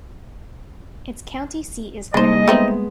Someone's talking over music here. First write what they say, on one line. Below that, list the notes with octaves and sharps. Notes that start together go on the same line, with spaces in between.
Its county seat is Clear Lake.
C2 G3 A#3 D4 D#4 C5 D#5
G#3 A3 B3 C4 D#4